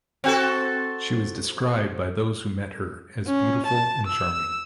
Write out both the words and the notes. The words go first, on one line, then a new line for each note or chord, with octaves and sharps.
She was described by those who met her as beautiful and charming.
C4 F#4 A4
C#4
A5
E6